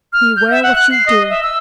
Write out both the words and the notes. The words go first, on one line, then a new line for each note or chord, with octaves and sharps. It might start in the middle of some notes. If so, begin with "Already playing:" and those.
Beware what you do.
F6
G6
E5
F#5
F#6
C7
D#5
E5
E6